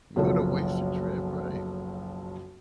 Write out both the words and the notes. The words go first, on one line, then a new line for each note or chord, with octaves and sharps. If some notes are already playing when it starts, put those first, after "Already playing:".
What a wasted trip, right.
F#1 B1 F3 A4